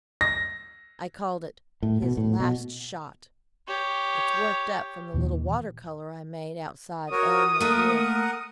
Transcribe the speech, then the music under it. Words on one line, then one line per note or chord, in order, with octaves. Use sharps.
I called it "His Last Shot." It's worked up from the little water-colour I made outside El Maghrib.
A#6
A2
B2
A2
B2
G4 C#5
D#2 A#2 E3
F#4 A#4 C#5 D#6
A3 A#3 A#4 F#5